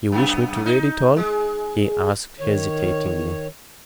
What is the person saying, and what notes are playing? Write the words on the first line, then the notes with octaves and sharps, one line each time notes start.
"You wish me to read it all?" he asked hesitatingly.
F#2 B3
D#4
G#3
D#3 C#5